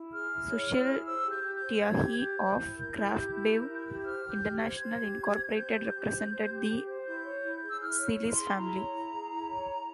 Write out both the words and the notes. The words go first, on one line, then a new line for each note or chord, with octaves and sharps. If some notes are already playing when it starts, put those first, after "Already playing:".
Sushil Tyagi, of Craftbev International Incorporated represented the Celis family.
Already playing: E4
G#4 F6
E4
C#5
E4
G#4
C5 E6
G4
G6
G4
G6
C5
C5 G#6
G4
G4 G6
C5
E4
A#4
E4
G4
E4
A#4
E4
G4
C5 F6
G4
G6
G4
G#6
C5
C5 G#6
G4
G4
C5
C5 G6
G4
G4
C5
C5
G4
G4
C5
E4 G6
C#5
E4
G#4
E6
E4 F6
C#5
E4
C6
G#4
E4 A#5
C#5
E4
G#4
E4
C#5
E4